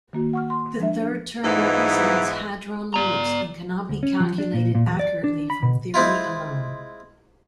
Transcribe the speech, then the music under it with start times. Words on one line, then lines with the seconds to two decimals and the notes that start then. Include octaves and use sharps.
The third term represents hadron loops, and cannot be calculated accurately from theory alone.
0.13 D#3 A#3 F#4
0.33 F#5 C#6 F6
0.50 C6
0.79 F3 G#3 D4 E5
1.02 D4
1.43 G#2 E3 F3 B3 D#4 E4
2.94 D5 A#5
3.89 D2
4.03 C#4
4.20 F3
4.38 D4
4.54 A#2
4.75 A#2
4.87 E2
4.99 D5
5.24 D4
5.50 B5
5.63 B2
5.94 G#3 C4 E4 F4